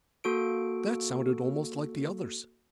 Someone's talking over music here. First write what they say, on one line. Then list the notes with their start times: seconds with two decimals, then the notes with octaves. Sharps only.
That sounded almost like the others.
0.24 A#3 F#4 A4 D7